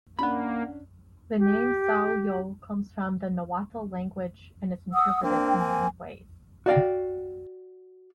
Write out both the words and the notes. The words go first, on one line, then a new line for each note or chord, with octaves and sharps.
The name Sahuayo comes from the Nahuatl language, and is interpreted in many ways.
A#3 C#4 D4 F#5 B5
G4
F#5 D#6 E6
A#3 C4 D4 G5
G#5
F#4 D5 F5 G5